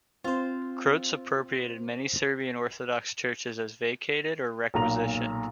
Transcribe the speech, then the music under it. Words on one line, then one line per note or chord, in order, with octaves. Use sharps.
Croats appropriated many Serbian Orthodox churches as "vacated or requisitioned".
C4 F4 C5
B1 A#2 A#5 F7